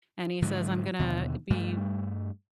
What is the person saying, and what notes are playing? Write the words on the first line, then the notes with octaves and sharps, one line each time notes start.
and he says, "I'm gonna be
G#2 D3 F3 F#3
D#2 B2 D3
G2 G3 A3